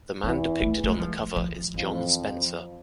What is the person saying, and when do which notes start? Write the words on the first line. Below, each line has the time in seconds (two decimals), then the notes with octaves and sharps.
The man depicted on the cover is Jon Spencer.
0.24 E2 E3 C4
0.62 A3
0.84 A3
0.92 G#3
1.00 F3
1.36 F3
1.74 F2 E3 F3